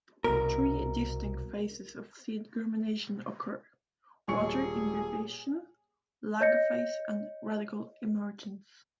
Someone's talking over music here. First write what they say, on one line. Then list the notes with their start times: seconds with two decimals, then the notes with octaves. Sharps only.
Three distinct phases of seed germination occur: water imbibition; lag phase; and radicle emergence.
0.24 C2 B2 A#4
4.28 D#1 G#4 C#6 C#7
6.41 C#5 D#5 G6 A#6 C#7